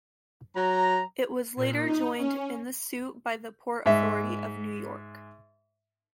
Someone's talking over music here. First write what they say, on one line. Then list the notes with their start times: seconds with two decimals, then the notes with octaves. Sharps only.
It was later joined in the suit by the Port Authority of New York.
0.56 F#3 A#5
1.57 A#2
1.86 D#4
2.19 C#4
3.86 G#2 E5